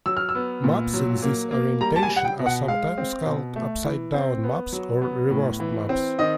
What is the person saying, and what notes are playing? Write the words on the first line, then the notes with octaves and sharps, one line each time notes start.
Maps in this orientation are sometimes called upside down maps or reversed maps.
F#3 E6
F6
E6
B3
A#2
F#3
A#3
A#3
G3 A#5
A5
G#5
G3
F#5
G5
B2
F#5
G#3 F5
C4
B2
A3
E3
C4
B3
F#3
B3
A2
E3
C4
D#3 D#5